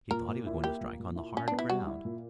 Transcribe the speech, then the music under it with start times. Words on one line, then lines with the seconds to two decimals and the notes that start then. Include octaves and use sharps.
He thought he was going to strike on the hard ground.
0.11 A#2 A#4
0.28 A#2
0.47 E4
0.64 A#3 G4
0.81 A#2
0.99 A#2
1.16 E4
1.34 A#2 C#4
1.48 B3 D4
1.59 E4
1.70 G3 F#4
1.87 E4
2.05 A#2